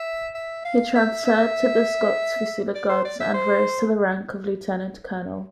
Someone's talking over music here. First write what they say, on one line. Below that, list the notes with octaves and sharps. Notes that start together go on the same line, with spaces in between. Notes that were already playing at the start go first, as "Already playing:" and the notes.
He transferred to the Scots Fusilier Guards and rose to the rank of Lieutenant-Colonel.
Already playing: E5
E5
F5
E5
E5
D5
C5
D5
E5
C5